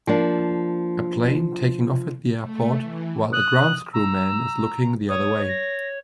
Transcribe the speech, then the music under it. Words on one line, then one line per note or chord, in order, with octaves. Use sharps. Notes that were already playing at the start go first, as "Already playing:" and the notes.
A plane taking off at the airport while a grounds crew man is looking the other way.
F3 A#3 D4
A3
E3
D#6 F#6
A#5 E6
C#5 D#6
A#6